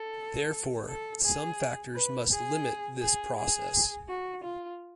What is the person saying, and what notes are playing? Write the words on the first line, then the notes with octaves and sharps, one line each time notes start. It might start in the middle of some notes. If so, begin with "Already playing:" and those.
Therefore, some factors must limit this process.
Already playing: A4
A4
G#4
B4
G#4
G#4
G#4
F#4
F4